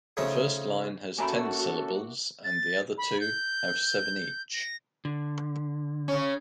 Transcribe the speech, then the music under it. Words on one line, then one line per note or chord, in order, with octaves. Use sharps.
The first line has ten syllables and the other two have seven each.
C#3 F3 A3 C#4 D#4
A#3 C#4 F#4 A4 E5 G#5 A#5 B5
A6
B5
G6
A#6
D3
C#3 C#4